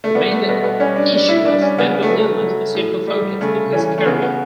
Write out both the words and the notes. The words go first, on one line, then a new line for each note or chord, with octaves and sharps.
He made the issue of mental illness a central focus in his career.
A3
G3 B3
A3
B2 B3
B3
G3 C#4
D4
G3 D4
E4
G3 D4
C#4
C#3 B3
B3
A3
F#3
A3
F#3
A2
G3
C#3 A3
E3 C#4
A3
C#3 B3
B3